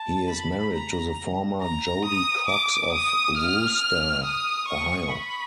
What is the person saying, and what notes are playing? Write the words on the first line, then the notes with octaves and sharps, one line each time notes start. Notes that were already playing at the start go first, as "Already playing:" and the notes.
He is married to the former Jody Cox of Wooster, Ohio.
Already playing: A5
B5
A#5
A#5
D#6
D6
D#6
F6
D#6
C#6
B5